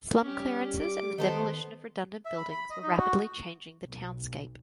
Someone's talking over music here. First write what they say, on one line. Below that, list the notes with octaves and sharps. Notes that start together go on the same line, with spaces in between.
Slum clearances and the demolition of redundant buildings were rapidly changing the townscape.
G3 C#4 G4
D6 D7
D#3 B3 D#4 A4 C5
E5
B5
B5
D#5
D#4
F#4
B1